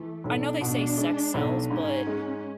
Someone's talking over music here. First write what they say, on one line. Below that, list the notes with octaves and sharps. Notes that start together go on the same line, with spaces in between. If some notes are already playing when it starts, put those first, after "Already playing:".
I know they say "sex sells" but
Already playing: E3 A3
B1 D4
B2
G#3
B1
G#2 C#4
G#3